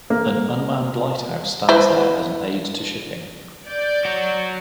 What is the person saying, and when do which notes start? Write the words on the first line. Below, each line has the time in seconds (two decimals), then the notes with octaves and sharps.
An unmanned lighthouse stands there as an aid to shipping.
0.10 A#3
1.69 E4 B4 C5
3.67 D5 G6
4.05 F#4 C#5